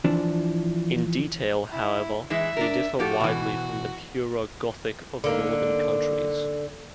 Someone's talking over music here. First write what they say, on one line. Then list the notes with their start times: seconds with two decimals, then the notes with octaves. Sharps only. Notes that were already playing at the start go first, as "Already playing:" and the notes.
In detail, however, they differ widely from the purer Gothic of northern countries.
0.04 E3 F3 D4
1.72 E4
2.30 E3 G#3 E4 E5
2.57 D4 A#4
2.99 F3 F#4 G4 A4
3.20 B2 E3
5.24 D3 A#3 D#4